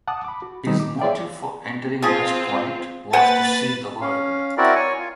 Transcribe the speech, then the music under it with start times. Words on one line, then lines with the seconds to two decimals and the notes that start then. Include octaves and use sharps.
His motive for entering West Point was "to see the world".
0.08 F#5 A5 D6 D#6
0.25 B5 D6
0.42 F#4
0.66 D#3 G3 A3 B3 C4 D#4
0.80 D6
0.99 G#4 C#5 D5 E5 F5 G5
2.02 F3 C4 F4 G#4
3.13 A#3 B4 C5 F#5 G#5 A6
4.01 C#4 F5
4.58 C4 E4 F#4 A#4 D5
4.75 C#5 G#5 C#6
4.99 F4